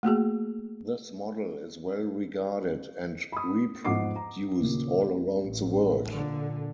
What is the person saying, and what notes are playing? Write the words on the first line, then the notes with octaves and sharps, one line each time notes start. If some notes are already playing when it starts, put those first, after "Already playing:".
This model is well regarded and reproduced all around the world.
A3 A#3 F#4 G#4
B5 D#6
E2 G#2 F3 F#5 D6 C7
A#5
D#2 A#2 C#3
A1
A#2 D3